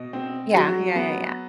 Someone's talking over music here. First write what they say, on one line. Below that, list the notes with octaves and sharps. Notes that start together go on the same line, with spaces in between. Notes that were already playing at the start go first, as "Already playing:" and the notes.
Yeah. Yeah, yeah, yeah.
Already playing: B2 D#5
C4
F#3
B3